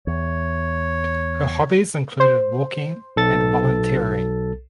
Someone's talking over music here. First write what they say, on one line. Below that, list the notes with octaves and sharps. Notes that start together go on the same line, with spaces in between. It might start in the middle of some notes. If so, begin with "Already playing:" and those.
Her hobbies included walking and volunteering.
E2 C#5
C5
B1 A4 A6